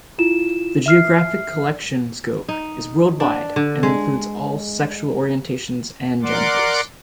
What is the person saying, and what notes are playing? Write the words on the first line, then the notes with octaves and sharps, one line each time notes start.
The geographic collection scope is worldwide and includes all sexual orientations and genders.
E4 F4 E7
E5 F6 C7
D#4
D4
D3
G#3
A#4 D5 F#5 C6 D6